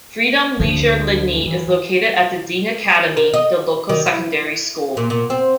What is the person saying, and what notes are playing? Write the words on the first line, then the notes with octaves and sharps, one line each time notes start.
Freedom Leisure Lydney is located at the Dean Academy, the local secondary school.
D2 D3 F3
E3
A#4
D#5
D#3
E4
A#2
A#2
C4